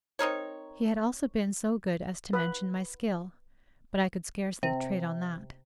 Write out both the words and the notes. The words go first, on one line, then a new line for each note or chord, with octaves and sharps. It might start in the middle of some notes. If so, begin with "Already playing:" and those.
He had also been so good as to mention my skill; but I could scarcely trade on that.
C4 D#4 A#4 C#5
B4
C3